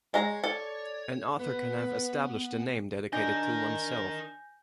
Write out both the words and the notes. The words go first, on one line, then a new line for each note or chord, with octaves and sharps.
An author can have established a name dedicated to oneself.
G#3 C#5 A#5
A4 D5
B3 B4
D4 A#4 D#5 G#5 G6 A#6